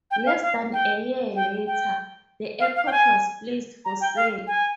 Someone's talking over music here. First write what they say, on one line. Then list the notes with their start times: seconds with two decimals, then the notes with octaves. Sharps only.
Less than a year later, the airport was placed for sale.
0.11 G5
0.26 F5
0.42 F5
0.73 G5
1.36 G5
1.67 G5
2.60 F5
2.76 F5
2.86 G5
2.92 G#5
3.85 A#5
4.01 G5
4.16 F5
4.47 G#5